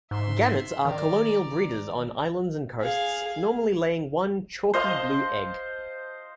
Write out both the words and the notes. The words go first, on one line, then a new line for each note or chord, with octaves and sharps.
Gannets are colonial breeders on islands and coasts, normally laying one chalky, blue egg.
G#2 E5 C6
D#3 D5 A#5
G#4 F5
C5 D#5 F5 A5